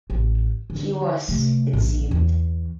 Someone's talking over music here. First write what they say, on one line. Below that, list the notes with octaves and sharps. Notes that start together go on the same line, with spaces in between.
He was, it seemed.
A1
D3
C3 A3
A#1 E3
E2